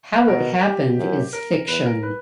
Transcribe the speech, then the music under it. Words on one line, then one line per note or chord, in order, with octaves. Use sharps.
How it happened is fiction.
B4
B2 A#4
G4
F#2
A#4
E2 B4
A#4
B4